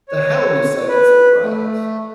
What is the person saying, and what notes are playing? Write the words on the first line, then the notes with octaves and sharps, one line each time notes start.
The hell you say it's all right!
C#5
B4
A3